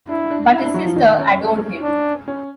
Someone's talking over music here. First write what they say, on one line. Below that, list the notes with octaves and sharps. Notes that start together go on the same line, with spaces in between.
But his sister adored him.
D4 E4
D4
E4
D4
F#3 F#4
F3 F4
D#3 D#4
C#4
D4
C#4